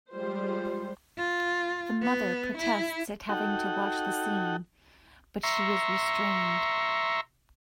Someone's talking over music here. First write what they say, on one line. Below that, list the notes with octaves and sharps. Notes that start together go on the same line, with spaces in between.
The Mother protests at having to watch the scene, but she is restrained.
F3 G3 G#3 F4 C5
F4
B3
E4
D#4 F#4 A4 F#5 G5
E5 A#5 C6 C#6